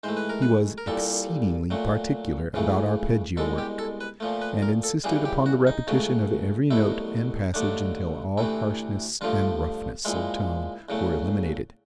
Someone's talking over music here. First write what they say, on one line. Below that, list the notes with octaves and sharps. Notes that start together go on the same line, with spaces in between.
He was exceedingly particular about arpeggio work, and insisted upon the repetition of every note and passage until all harshness and roughness of tone were eliminated.
G#2 E3 A3 C5
B4
A#4
B4
A#4
C2 A#2 G3 A4
A#2 F#3 A3
C#2 C#3 E3 A3
C2 B2 G#3 A4
G4
A4
B4
A#2 F3 A3
B4
A#4
A4
F#2 C#3 E3 G3 G#4
G4
F#4
D#4
C#2 C#3 F#3 A3
C2 B2 F#3 A3 E4
D#2 D3 F#3 A3 D4
D2 C3 E3 A3 E4
G2 D3 F3 A3 F4
A#2 F3 G#3 E4
E2 C#3 F#3 A3